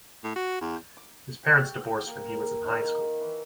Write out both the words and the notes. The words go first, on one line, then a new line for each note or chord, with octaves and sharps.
His parents divorced when he was in high school.
A2
F#4
E2
D6
G4
F#4
G5
A#3
A#4
D#3
E3